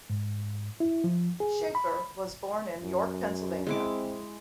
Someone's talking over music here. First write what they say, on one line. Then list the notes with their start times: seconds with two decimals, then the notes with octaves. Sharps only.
Sheffer was born in York, Pennsylvania.
0.10 G#2
0.80 E4
1.04 F3
1.40 G#4
1.75 B5
2.83 F#2
3.67 G#3 C4 E4 D6